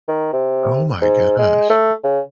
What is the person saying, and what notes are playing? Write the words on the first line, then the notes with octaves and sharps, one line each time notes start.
Oh my gosh.
D#3
C3
G#2
G#3
A3
C#3